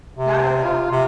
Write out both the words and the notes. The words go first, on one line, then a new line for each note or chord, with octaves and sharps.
Not at all.
C3
F4
C3